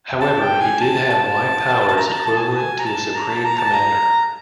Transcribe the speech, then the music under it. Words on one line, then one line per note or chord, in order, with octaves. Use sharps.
However, he did have wide powers equivalent to a supreme commander.
A5
G5
G#5
A5
A5
A5
A#5
A5
A5
G#5
A5
G#5
A#5
A5
A#5
A5
A#5
A5
A#5